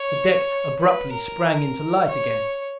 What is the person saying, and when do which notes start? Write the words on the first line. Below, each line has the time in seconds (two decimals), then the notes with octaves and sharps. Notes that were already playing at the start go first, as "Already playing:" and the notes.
The deck abruptly sprang into light again.
Already playing: C#5
0.81 B4
1.13 A#4
2.07 C#5